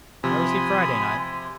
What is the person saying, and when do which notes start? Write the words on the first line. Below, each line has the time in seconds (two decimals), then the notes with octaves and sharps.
Where was he Friday night?
0.24 C3 F3 G#5 B5 C6 D#6